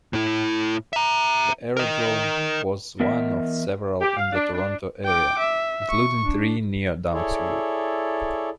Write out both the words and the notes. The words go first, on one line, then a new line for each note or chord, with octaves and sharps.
The aerodrome was one of several in the Toronto area, including three near Downsview.
A2 E4
E5 A#5
A#4 D#5
E2 B3 A#4 D#5 E5
G4
F5
D4
D4
G5 D6
E5
C#6
D4
E4 G#4 A4 C#5 D5